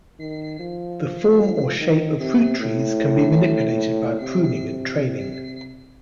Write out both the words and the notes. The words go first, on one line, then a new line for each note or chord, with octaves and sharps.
The form or shape of fruit trees can be manipulated by pruning and training.
D#3
F3
D#3
C3
A2
C3